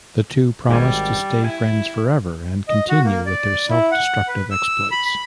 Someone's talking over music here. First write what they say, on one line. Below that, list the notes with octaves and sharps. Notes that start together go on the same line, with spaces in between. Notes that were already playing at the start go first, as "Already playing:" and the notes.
The two promise to stay friends forever and continue with their self-destructive exploits.
G#1 G3 G4 G#5
E4 G#5
D#5
F#4
A#3
D5
E4
F#5
B4
E6
B5
B5